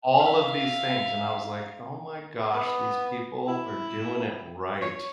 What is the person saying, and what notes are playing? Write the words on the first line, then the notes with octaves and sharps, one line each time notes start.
all of these things, and I was like, "Oh my gosh, these people are doing it right."
E5 F5
B3
E4
C#5